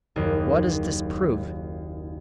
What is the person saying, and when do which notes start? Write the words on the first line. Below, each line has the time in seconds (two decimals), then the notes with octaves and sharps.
What does this prove?
0.16 F#1 D#2